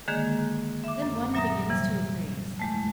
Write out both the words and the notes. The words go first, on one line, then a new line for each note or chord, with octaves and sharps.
Then one begins to appraise.
D3 D#3 G#3 A#3 G#4
E5 D6
F#2
A#2 F#3 E5 A#5 D#6 A#6
C3 E3 G3
E2 G#3 A3